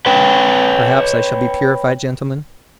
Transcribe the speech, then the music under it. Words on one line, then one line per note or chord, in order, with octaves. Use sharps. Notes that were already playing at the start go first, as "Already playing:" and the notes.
Perhaps I shall be purified, gentlemen?
B4 C#5 G5